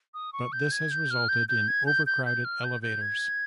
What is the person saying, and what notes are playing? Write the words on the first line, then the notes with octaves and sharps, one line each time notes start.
But this has resulted in overcrowded elevators.
D#6
C#6
G6
G#6
G6
F6
G6
G6
G#6
G6
G6
G6
F6
G6
G6
G#6